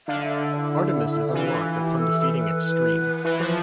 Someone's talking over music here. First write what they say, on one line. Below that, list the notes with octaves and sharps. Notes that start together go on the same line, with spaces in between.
Artemis is unlocked upon defeating Extreme.
D3 F5
E5
E5
D5
E4
G4
E3 F4
F4
G4
A4
A4
B4
E3
F3